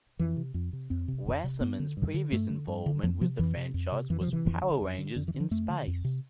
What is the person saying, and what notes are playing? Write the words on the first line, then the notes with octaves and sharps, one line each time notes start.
Wasserman's previous involvement with the franchise was "Power Rangers in Space".
F2 E3
C3
F2
C3
F2 C4
C3
F2
C3
G2 B3
D3
G2
D3
G2 A3
D3
G2
D3
F2 F3
C3 F3
F2 E3
C3
F2
C3
F2 E3
F3
C3
E3
F2
D3
F2
D3
F2 D3
E3
D3
F3
F2 A3
D3
F2
C3